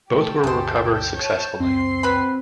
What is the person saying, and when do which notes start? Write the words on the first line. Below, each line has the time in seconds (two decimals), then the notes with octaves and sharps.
Both were recovered successfully.
0.11 C3 G#3 A3 G4 A4
0.44 C2 F#2 C#3 G#4 C5
0.74 G6
1.16 C#5 A5
1.60 C#2 F#2 C4 C6 C7
2.03 F#3 B4 B5